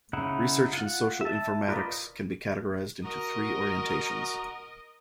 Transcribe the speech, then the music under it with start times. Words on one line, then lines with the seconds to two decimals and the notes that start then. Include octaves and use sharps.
Research in social informatics can be categorized into three orientations.
0.13 C#3 D#4 E4 F#5
0.73 F4 F#5
1.21 E5 A5
1.68 F4 A#4 B4 D5 D#5
3.04 F#4 A#4 D#5 A#5